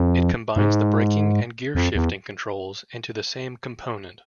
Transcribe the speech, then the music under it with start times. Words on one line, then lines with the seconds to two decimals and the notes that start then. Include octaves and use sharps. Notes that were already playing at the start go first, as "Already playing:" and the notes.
It combines the braking and gear shifting controls into the same component.
Already playing: F2
0.56 G#2
1.75 F2
1.95 E2